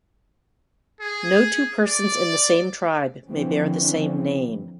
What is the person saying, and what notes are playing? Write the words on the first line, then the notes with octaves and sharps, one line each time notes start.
No two persons in the same tribe may bear the same name.
G#4
D5
D3 E3 F3 C4 C#4